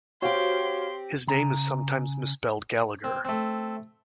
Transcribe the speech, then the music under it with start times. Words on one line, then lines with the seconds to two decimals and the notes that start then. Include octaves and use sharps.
His name is sometimes misspelled "Gallagher".
0.22 C4 F#4 G4 C5 C#5 F5 C6
1.27 C#3 A#5
3.04 C4
3.25 A3 C4